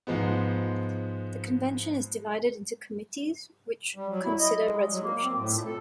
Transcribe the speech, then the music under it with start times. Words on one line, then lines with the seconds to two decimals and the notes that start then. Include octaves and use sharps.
The convention is divided into committees which consider resolutions.
0.07 G#2 F3 G#3 B3
3.96 G3
4.09 F#3
4.23 E4
4.39 D#5
4.64 G#3
4.77 G3
4.90 F#3
5.02 A#3
5.23 C4
5.35 A2
5.52 A#2
5.66 A4